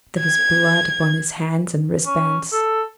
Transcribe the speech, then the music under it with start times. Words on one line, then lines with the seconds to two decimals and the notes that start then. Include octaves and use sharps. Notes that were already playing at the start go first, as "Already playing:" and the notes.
There was blood upon his hands and wrist-bands!
0.20 G#6
2.06 C#4
2.52 A4